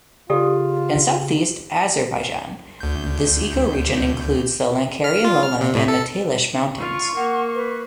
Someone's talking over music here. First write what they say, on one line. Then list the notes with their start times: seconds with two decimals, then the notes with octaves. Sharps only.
In southeast Azerbaijan, this ecoregion includes the Lankaran Lowland and the Talysh Mountains.
0.30 C#3 F4 G4 A4 D5
2.80 D2 G6
5.04 F6
5.25 F4
5.42 F6
5.61 C3
5.75 A2
5.88 A4
6.78 F4 C#6
7.16 A#3 F#5
7.54 B4